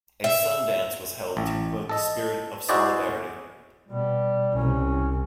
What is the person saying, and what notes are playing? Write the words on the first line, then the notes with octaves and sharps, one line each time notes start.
A Sun Dance was held to promote the spirit of solidarity.
E5
A1
A4 D#5
E4 F#4 G#4 C5 D5 D#5
B2 G3
C2 C#4